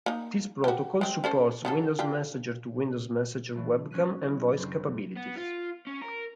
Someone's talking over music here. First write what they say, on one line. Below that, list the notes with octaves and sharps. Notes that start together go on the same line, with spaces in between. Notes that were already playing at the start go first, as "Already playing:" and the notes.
This protocol supports Windows Messenger-to-Windows Messenger webcam and voice capabilities.
A#3 D#4
F#4 G4
G#3 C4
C#4 A4 C5
D#3 F#3 A4
D4 F4 G4
B2 E3 F#3 A3
F#3 C#4 F6 F#6 B6 D#7
E4
F#1 F#3 C4 D4
A#1
B3
F4
C#4
A#4